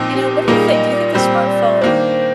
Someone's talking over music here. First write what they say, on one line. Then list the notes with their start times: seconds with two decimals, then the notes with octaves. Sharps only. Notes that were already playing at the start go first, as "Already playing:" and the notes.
you know, what do you think? Do you think the smartphone
Already playing: A#2 F3 C4 D#4
0.14 G4
0.48 A#2 G3 A#3 D#4 G#4
0.70 D#5
0.93 D5
1.14 A#2 G3 C4 C5
1.48 D5
1.81 D#3 A#3 D4 C5